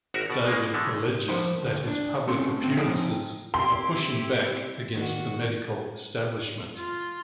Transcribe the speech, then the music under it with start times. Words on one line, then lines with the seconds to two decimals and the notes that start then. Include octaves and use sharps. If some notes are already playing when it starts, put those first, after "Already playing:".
David alleges that his public appearances are pushing back against the medical establishment.
0.14 G#1 F#4 A#4 E5
0.30 B2 D5
0.46 C#3 G#3 A#3
0.74 D3 E3 G#3 A3
1.28 F3 A#4 C5 F#5 B5 C6
1.62 D2
1.88 D4
2.27 C#2 A3 C4 C#4 C6
2.64 A#2 D#3 C4
2.77 C#3 F3 C4 D#4 G5
3.54 C3 E4 G4 C6
4.91 D#3 A#3 F#4
6.77 F4